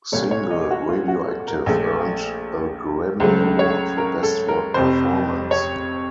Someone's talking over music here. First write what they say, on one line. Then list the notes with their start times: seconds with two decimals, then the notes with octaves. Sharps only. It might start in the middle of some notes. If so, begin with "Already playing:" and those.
Single "Radioactive" earned a Grammy Award for Best Rock Performance.
0.12 C2 A#2 A3 C#5
0.31 C#5
0.51 D#5
0.71 F#4
0.89 F4
1.08 F#4
1.27 A4
1.47 A#4
1.66 A#1 A#2 A3
3.20 C#2 C#3 F#3 A3 C5
3.59 C#5
3.98 A#4
4.23 A4
4.48 A#4
4.74 F1 F2 C3 C5
5.51 C#5